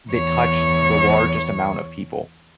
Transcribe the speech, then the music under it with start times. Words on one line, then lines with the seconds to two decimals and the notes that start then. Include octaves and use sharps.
that touched the largest amount of people,
0.10 E2 C#5